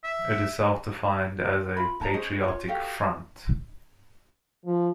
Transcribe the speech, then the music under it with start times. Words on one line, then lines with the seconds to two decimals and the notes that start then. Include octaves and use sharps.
It is self-defined as a "patriotic front".
0.04 E5
1.77 F4 B5
2.00 D#4 A5 A#5
2.14 C#4 G#4 C5 D#5
2.44 F4 C#5
2.68 F#4 G4 A4 F5
4.65 F3